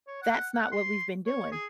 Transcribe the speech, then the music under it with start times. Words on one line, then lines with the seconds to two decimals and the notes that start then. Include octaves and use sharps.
That's not what we've been doing.
0.07 C#5
0.22 F#5
0.53 F#5
0.72 C6
1.26 C#5
1.52 G#4